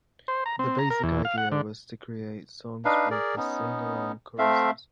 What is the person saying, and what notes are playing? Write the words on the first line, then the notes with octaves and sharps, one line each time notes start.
The basic idea was to create songs with sing-along choruses.
C5
A#5
C4
A#5
A#4
E2
F5
F#5
D3
D4 D#4 B4 F5
G#4 A#4 D5
B3 C#4 D#4
A3 C4 E5 F5